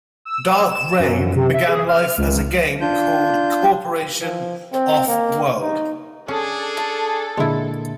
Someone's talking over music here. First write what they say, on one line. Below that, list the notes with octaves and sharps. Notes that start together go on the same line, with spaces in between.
"Dark Reign" began life as a game called "Corporation: Offworld".
E6
E7
F#2
C3
E5
G#4
F6
C#2
D4 F4 G6
F3
C4
A#3
D#4
C#4 D4 G#4 A4
A#2 D3 G#3 A#3 E4